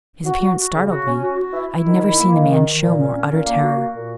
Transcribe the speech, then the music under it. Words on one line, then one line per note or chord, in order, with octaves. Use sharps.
His appearance startled me: I had never seen a man show more utter terror.
F#4
F#4
F#4
C#3
F#4
C#4
F#4
F#4
E4
E4
D#3
E4
A#3
D#3
D#3
D#3
A#2
C#4
C#4
A#2
A#3
F#4
F#4
A#2